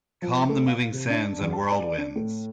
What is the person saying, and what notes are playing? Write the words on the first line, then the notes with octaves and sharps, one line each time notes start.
Calm the moving sands and whirlwinds.
F3
A3
F5
C3
D4
E2
A5
D5
D4
A2